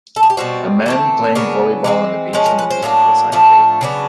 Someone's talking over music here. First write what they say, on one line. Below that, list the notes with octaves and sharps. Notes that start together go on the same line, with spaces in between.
A man playing volleyball on a beach on a beautiful sunny day.
A4
G#4
G4
B2 G3 C4 F#4
E3 A3 C4
C#3 F#3 B3 D4 A#4
E3 G#3 C4
F3 G#3 C#4 B4
A#4
B4
C5
A2 F#3 A#3 D4
A2 F3 A3 D4
C#3 F#3 B3 D4